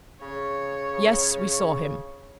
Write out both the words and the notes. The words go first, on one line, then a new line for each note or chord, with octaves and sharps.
Yes, we saw him.
C#3 C#5